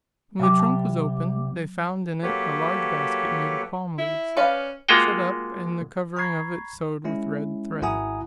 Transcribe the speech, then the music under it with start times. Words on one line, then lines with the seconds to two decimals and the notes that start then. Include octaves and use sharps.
When the trunk was opened, they found in it a large basket made of palm-leaves, shut up, and the covering of it sewed with red thread.
0.40 C2 F#3 G4
0.59 A5
2.23 F#3 A#3 G4 A4 B4 C#5
3.99 E4
4.37 C#4 B4 D5 F5
4.89 G#3 A#3 F4 F#4 G5
6.17 A#5 B5 C#6 G#6 C7
7.04 G#3 C#4 E4
7.82 G#1 E4 F#5 G#5 A#5 D#6